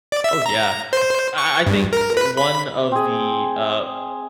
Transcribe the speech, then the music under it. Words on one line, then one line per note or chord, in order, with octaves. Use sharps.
Oh, yeah, uh, I I think one of the, uh,
D5
E5
A#5
C5
C#6
G2
A#4
B4
B5
C4 G#4